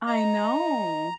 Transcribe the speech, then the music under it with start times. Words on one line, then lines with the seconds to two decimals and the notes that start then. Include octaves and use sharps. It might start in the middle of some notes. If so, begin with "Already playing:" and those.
I know.
0.07 D#5 A#5